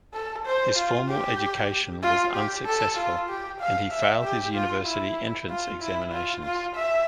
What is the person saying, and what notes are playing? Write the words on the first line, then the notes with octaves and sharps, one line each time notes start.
His formal education was unsuccessful, and he failed his university entrance examinations.
A4
C5
F4
G4
F4
G4
A4
F4
G4
F5
E5
G4
F4
E4
F4
E4
F4
F4
E5